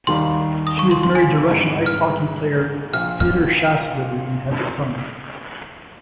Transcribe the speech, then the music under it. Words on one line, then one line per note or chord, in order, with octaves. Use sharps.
She is married to Russian ice hockey player Petr Schastlivy and has a son.
D#2 D#3 G3 C6
D#6
C#6
C6
C6
G#5
G#1 G#2 G3
F6
A#1 A#2 F3 F6
F6